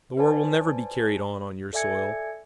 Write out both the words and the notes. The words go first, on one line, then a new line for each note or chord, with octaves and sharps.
The war will never be carried on on your soil.
B4 C5 D5 G#5 A5
A4 D5 E5 G#5 G#6 C#7